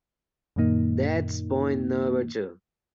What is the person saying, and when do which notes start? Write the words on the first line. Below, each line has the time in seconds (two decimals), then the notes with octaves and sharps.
That's point number two.
0.56 F#2 A#2 D#3 A#3 D#4